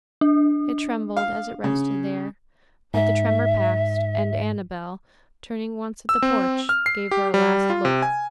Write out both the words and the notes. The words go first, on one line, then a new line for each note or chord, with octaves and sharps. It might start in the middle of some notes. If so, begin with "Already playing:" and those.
It trembled as it rested there, but the tremor passed, and Annabel, turning once at the porch, gave her a last look.
D4
F5
C#3
G#2 E5
E6
C4
F6
C7
G4
G3
F4
C3
G#5